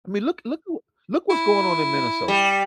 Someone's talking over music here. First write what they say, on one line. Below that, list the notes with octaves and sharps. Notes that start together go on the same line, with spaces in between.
I mean, look look who Look what's going on in Minnesota,
E4
G3